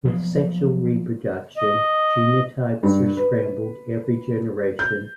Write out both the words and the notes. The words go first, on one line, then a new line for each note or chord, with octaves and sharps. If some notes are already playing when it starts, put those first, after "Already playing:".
With sexual reproduction, genotypes are scrambled every generation.
F3 F#3 A#3 B3
D#5
G2
B4
G6